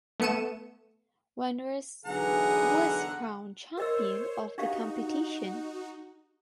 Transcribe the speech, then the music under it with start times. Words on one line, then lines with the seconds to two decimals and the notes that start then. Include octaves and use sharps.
Wanderers was crowned champion of the competition.
0.20 A3 B3 C#7 D#7 E7
2.06 B1 E2 D3 G#4 F#5 A#5
3.77 A#4 C5 C#5 D#5 E6
4.58 D4 D#4 F#4 G4 F5